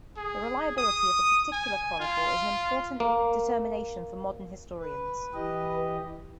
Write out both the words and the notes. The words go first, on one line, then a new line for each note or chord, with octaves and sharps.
The reliability of a particular chronicle is an important determination for modern historians.
G#4
D#6
G#5
F4
A#3
B4
E3 G4 D#5